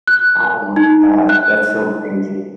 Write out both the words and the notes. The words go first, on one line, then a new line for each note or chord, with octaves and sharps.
Oh my god. That's so crazy.
F#6
D#4
F#6